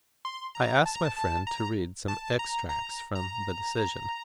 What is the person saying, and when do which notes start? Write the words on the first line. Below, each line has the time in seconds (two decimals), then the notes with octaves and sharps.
I ask my friend to read some extracts from the decision.
0.25 C6
0.55 A#5
0.86 A5
0.95 A#5
1.05 A5
1.16 A5
1.47 A#5
2.08 A5
2.39 A#5
2.69 A#5
3.15 A#5